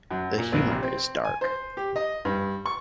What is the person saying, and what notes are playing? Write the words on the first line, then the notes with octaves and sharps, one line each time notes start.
The humor is dark.
F#2
A#2
A#1
C3
C4
G#5
C5
G4
D#5
G2
C#6